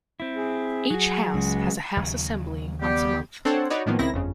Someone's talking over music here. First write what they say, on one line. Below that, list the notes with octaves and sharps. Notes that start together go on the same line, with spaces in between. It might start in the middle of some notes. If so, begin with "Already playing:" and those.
Each house has a house assembly once a month.
C4 E4
G#4
F#3 F#4
C#2
D#2 C#3 F#3
G3 B3 G4
C4 D4 A4 C5 C#5 F#5
D#4 F#4 B4 C#5 D5
A2 D#3 F3 A#3 B3
C#2 D#3 C4 E4 A#6
G1 F2 C#3